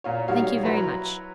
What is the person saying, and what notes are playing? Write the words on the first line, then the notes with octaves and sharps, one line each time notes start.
'Thank you very much.'
A#2 F4 C#5
B1 G3 A#4 C#5 F5
F#3 E4 B4 C#5 A#5 C6